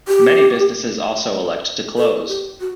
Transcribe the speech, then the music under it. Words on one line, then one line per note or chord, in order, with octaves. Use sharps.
Many businesses also elect to close.
G4
A4
G4
F#4